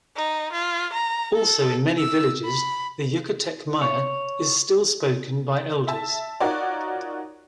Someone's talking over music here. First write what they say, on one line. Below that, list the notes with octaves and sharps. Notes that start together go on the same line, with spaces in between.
Also in many villages the Yucatec Maya is still spoken by elders.
D#4
F4
A#5
A4
E6
B5
C#5
E5 A5
D#4 F4 F#4 A#4 C#5 D5